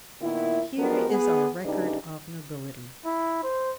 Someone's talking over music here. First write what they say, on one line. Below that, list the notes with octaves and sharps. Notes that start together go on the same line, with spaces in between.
Here is our record of nobility.
A#2 D#3 B3 E4
F3 F#3 G#3 B3 G4 A#4
B3 G#4
D2 C#3 G3 D4 D#4 B4
E4
C5